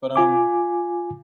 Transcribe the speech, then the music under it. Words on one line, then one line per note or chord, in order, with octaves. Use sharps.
But, um,
F4 G#5 D6